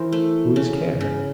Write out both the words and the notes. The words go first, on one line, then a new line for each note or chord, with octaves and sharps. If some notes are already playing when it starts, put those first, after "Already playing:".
"Whose care?"
Already playing: E3 A#4 C5
A3
C#3
C#3